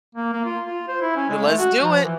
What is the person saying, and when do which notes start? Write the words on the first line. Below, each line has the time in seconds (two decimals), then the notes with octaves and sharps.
Let's do it.
0.15 A#3
0.33 A#3
0.45 F4
0.66 F4
0.88 C5
1.01 E4
1.16 C#4
1.29 G#3
1.45 A3
1.58 F#4
1.81 F3
2.04 E3